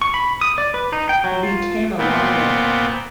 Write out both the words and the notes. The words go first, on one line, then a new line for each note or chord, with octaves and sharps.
We came a long way.
C#6
B5
D#6
D5
B4
D#4
G5
F#3
F4
A#2 B3 C4